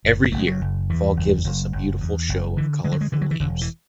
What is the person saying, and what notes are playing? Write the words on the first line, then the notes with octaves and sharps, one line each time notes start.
Every year, fall gives us a beautiful show of colorful leaves.
F#1
F#1 A3
G#3
F#3
F#1
E2 E3
F#1
F#1
F#1
E2
F#1
D3 E3
D3 G#3
F#3
G#3
D3 E3
F#3
E3
E1 D3
E3